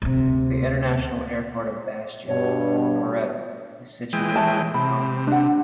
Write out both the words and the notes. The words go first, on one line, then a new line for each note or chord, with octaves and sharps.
The international airport of Bastia - Poretta is situated in the commune.
D2 C3
G2 B2 C#5
E3 G#3 G5
C#5 E5 A5
C3 B5
D4 F#5